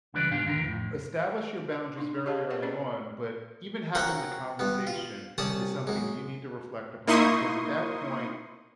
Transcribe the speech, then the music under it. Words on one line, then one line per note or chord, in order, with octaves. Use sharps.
y you establish your boundaries very early on, but even having the conversation is something you need to reflect upon because at that point,
C#2 D3 E3 G3 B4 D5
B1 G#2 B3 D4 F5 G5
D#2 D3 A#4
F2 A2
D4 D#4
G4 C#5 D#5 F5 A5
G4 B4 C5 D#5 F#5
C4 C#4 G#4 D5
C4 C#4 F#4 A#4 F#5 A#5
G2 B3
F4
C2 C#4 D5 A5 D#6
F#2 G#3
A#3 D#4 E4 C6 C#6 D#6